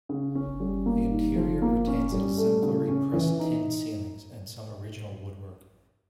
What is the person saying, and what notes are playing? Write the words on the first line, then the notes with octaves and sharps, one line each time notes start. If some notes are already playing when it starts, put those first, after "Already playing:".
The interior retains exemplary pressed tin ceilings and some original woodwork.
C#3
C#4
G3
A#3
D#3
F3
A#3
C#4
G3
A3
C#3
C#4
E3
D#4